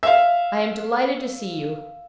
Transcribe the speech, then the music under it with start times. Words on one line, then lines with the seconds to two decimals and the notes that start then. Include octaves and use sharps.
I am delighted to see you.
0.03 E5 F5